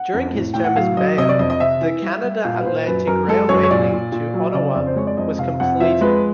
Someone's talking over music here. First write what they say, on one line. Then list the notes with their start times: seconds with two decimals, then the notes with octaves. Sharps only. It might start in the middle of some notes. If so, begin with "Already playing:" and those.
During his term as mayor, the Canada Atlantic Railway link to Ottawa was completed.
Already playing: F#5
0.14 F2
0.34 A2
0.54 A2 G5
0.64 F#5
0.76 F#3 F5
0.97 F#3 D#5
1.18 C3 D#5
1.29 D5
1.39 F2 D#5
1.50 D#5
1.60 C3 E5
1.81 E3
2.02 G3
2.24 G3
2.44 A#2 F5
2.60 B4
2.65 A#2 C5
2.86 F#2 B4
3.07 F#2 A#4
3.28 G#3 A4
3.49 F#2 C#5
3.63 C#5
3.71 A#2 D5
3.92 A#2
4.12 A#2
4.34 F#3
4.46 D#5
4.54 C#3 D5
4.75 F2 D5
4.87 C5
4.96 G#3 C#5
5.07 D5
5.17 F2 D#5
5.38 C3 F5
5.60 F2 F#5
5.80 F3 E5
6.01 G#3 B4